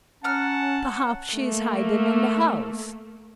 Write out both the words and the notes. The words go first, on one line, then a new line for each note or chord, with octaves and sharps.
"Perhaps she is hiding in the house."
C#4 F#5 A5 A#5 F6
A3 A#3